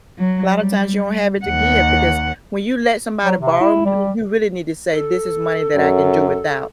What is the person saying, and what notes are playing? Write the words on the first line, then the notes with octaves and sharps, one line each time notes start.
a lotta times you don't have it to give because when you let somebody borrow money, you really need to say this is money that I can do without.
F#3
G3
D#2 F#5
F#3
C3
E4
G3
A4
F#2